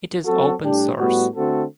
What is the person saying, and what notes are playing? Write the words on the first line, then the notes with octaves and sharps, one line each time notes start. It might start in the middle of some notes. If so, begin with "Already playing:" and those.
It is open source.
F#3 C4 F#4 A4
A2 G3 D4 G4
A2 G3 B3 F#4
D3 A3 C4 F#4 A4